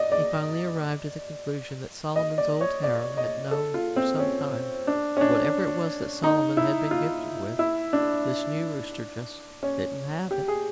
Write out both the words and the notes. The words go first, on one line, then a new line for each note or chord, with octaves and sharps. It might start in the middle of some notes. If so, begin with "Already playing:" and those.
He finally arrived at the conclusion that Solomon's old harem had known for some time; whatever it was that Solomon had been gifted with, this new rooster just didn't have it.
Already playing: D5 D#5
D5
D#5
D5
C#5
D5
D#5
A4
F4
C4
C#4
D4
C#4
D4
D#4
E4
F4
E4
D4
C#4
G4
G#4